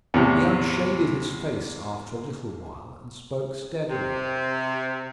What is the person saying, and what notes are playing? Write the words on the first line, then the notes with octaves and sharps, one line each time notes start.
He unshaded his face after a little while, and spoke steadily.
E2 A2 C3
C3